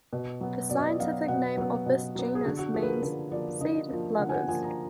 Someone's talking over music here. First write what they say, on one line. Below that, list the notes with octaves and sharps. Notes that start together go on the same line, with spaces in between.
The scientific name of this genus means "seed-lovers".
B2
F#3 B3
B2 D5
D#5
D5
F#3 B3 F5
B2 F#5
F#3 B3 B4
B2
F#3 B3
G#4
D3 F#4
F#4
F3 A#3 G#4
B4
A#4
D3 B4
F3 A#3 D5
D3 D#5
F3 A#3
D3 F#5
G#5
F#5
F3 A#3 G#5
A#5